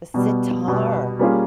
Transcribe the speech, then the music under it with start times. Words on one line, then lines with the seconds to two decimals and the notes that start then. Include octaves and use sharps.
The sitar.
0.14 B2 G3 B3
0.68 B2 G3 B3
1.19 G3 A#3 C#4 F4 G#4